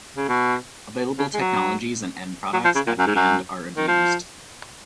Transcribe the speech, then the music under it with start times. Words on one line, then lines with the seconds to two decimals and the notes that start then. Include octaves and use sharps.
Available technologies and end products at hand are abused.
0.17 C#3
0.28 B2
1.18 C#3
1.34 G#3
1.40 F#3
2.53 F#3
2.64 F3
2.75 C#3
2.87 A#2
2.98 F#2
3.07 G#2
3.15 F#2
3.76 D#3
3.88 F3